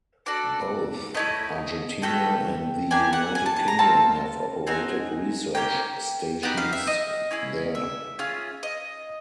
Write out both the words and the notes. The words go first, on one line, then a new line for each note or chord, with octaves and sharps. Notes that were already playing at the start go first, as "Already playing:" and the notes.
Both Argentina and the United Kingdom have operated research stations there.
D4 F#4 A4 D5
A3 C#4 E4 D#5
A3 C#4 F#4 A4 G5
A#3 D4 G4 G#5
F#5
G#5
A5
A5
A#5
C4 F4 A4 A5
C4 D#4 F#4 G#5
A#3 C#4 G4 G5
B3 D#4 G4 F#5
F5
E5
D#5
C#4 E4 G#4
E5
C#4 F4 G#4
D#5